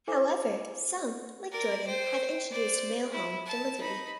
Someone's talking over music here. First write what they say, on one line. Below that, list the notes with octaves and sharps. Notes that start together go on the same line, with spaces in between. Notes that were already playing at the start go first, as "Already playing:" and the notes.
However, some, like Jordan, have introduced mail home delivery.
E4 A4 C5 E5 G#5 D6
A#4 D5
C5 G5
C5 D5
E4
A5
D#4 B5